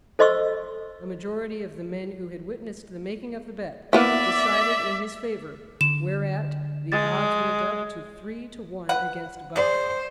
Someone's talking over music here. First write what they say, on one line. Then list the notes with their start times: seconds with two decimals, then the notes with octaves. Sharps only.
A majority of the men who had witnessed the making of the bet decided in his favor, whereat the odds went up to three to one against Buck.
0.19 A4 C5 D#5 C6 C#6 E6
3.93 A#3 B3 E4 D5 E5
5.81 D3 E7
6.92 G#3 A6
8.89 B4 F#5
9.56 G#4 C5 D5